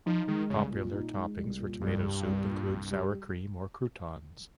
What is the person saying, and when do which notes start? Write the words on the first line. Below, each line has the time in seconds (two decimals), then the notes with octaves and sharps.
Popular toppings for tomato soup include sour cream or croutons.
0.06 F3 D#4
0.27 D#3 G#3
0.50 C2 C#3
0.72 A#2
0.93 D#4
1.16 G#3
1.37 C2
1.59 A#2
1.81 C2 G2
2.03 G3
2.24 C2
2.46 A#2
2.69 C2
2.91 G3